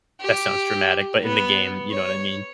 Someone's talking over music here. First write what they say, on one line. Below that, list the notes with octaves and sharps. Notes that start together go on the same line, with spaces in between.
that sounds dramatic, but in the game, you know what I mean.
G4
B3
C#5